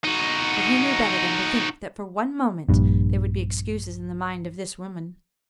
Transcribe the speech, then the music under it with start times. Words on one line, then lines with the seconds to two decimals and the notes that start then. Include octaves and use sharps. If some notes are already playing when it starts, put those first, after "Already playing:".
But he knew better than to think that for one moment they would be excuses in the mind of this woman.
0.04 D#4 F#4
2.69 A#1 G2